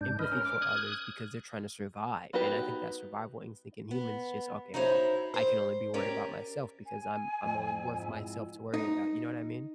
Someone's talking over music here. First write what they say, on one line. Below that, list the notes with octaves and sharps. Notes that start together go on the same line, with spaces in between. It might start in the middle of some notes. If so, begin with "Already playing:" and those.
empathy for others because they're tryna survive. And I think that survival instinct in humans is just, "Okay, well, I can only be worried about myself because I'm I'm only worth myself to worry about." You know what I mean?
G#2 D4 G6
B4 D#5 F6
C#4 A#4
D6
D#6 F#6 G#6
B3 D#4 F#4 G4 B4
B3
D#4 E4 F#4 C5 C#5
G2 C5
C#4 G4 A#4 C#5 D5
G#5
F2
G#2 E4
D#4